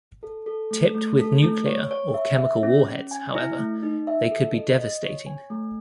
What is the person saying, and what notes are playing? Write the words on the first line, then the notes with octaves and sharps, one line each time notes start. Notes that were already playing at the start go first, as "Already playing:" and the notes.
Tipped with nuclear or chemical warheads, however, they could be devastating.
A4
A4
A3
A3
A4
A3
C#5
C#5
E5
E5
C#4
C#4
G#5
E4
A3
D#4
E5
A4
D#5
D#5
C#5
G#5
A3